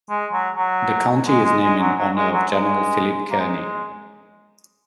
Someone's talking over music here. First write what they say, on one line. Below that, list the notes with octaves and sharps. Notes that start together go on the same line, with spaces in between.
The county is named in honor of General Philip Kearny.
G#3
F#3
F#3
G#3
G#3
G#3
F#3
F#3
G#3
F#3
G#3
A#3
G#3